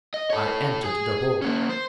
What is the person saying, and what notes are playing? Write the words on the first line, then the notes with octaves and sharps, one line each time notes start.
I entered the hall.
D#5
A4 C#5
G#4 G#5
A#3 C#4
C5